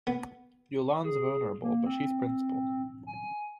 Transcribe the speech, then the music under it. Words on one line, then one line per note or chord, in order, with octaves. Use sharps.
Yolande's vulnerable, but she's principled.
B3
G#4
A#3
C4
G#5